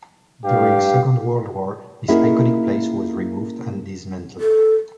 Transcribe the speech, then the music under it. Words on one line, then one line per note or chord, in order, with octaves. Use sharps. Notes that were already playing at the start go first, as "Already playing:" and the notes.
During Second World War, this iconic place was removed and dismantled.
G2 G4 F5
A#3 C#4 D#4 E4 F#4 G#4
A4